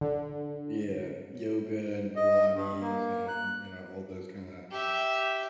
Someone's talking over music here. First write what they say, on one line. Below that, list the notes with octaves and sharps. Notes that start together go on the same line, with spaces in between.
Yeah, yoga and Pilates and, you know, all those kinda,
D3
D#5
G2
A#3
F#6
G4 E5